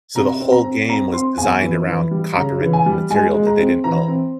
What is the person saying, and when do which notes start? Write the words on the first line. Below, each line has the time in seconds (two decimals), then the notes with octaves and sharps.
So, the whole game was designed around copywritten material that they didn't own.
0.15 C3 A#5
0.40 C4
0.52 A#5
0.64 C4
0.88 C4 A#5
1.13 C4 C6
1.38 E2 G#5
1.62 E3
1.87 E3
2.11 G3
2.37 C#3 A#5
2.61 E3
2.73 G#5
2.86 G3
3.10 G#3 G#5
3.34 G#3
3.47 A#5
3.59 C4
3.84 E3 A#5
4.08 C4